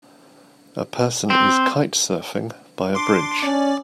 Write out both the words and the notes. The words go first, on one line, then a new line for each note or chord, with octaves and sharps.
A person is kite surfing by a bridge.
C4
D4 C6 D6
C#4 D5